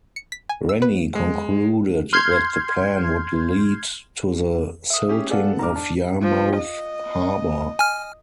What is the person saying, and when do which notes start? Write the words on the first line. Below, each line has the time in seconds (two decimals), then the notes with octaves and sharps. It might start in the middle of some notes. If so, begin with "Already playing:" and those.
Rennie concluded that the plan would lead to the silting of Yarmouth harbour.
0.16 C#7
0.32 B6
0.49 G#5
0.69 E6
0.82 B4
1.15 G#3
2.13 C6 F6 G6 G#6 C7
4.90 E5 D#6
5.09 C#4 G4 G#4
5.30 B3 G#4 A4 D5 F5 F#5
5.59 G#2 A#5 D6 F6
5.76 D4 A5
6.22 F3
6.58 D#5
7.79 G#5 F6